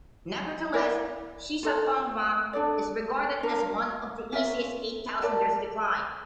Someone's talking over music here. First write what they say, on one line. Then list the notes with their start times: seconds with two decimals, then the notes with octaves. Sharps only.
Nevertheless, Shishapangma is regarded as one of the easiest eight-thousanders to climb.
0.74 E4 A#4 D5
1.63 F4 A4 C#5
2.53 D4 A4 D5
3.43 D4 F4 A#4
4.32 C#4 F4 A#4 E5
5.22 A#4 D5 A5